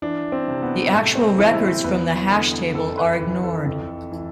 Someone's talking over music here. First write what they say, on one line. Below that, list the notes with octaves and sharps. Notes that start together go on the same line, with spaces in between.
The actual records from the hash table are ignored.
E3 D4
C4
C3
B3
A2 A3
C4
E3 E4
C5
E2 B4
D3
F2 A4
B4
E3
A4
F2
E3